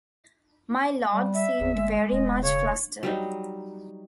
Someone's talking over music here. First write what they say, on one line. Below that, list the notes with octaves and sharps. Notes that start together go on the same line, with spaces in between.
My Lord seemed very much flustered.
G3
E5
G1 E2
G#3
E1 D#5
C#3 C#5
F#3 G3 D#4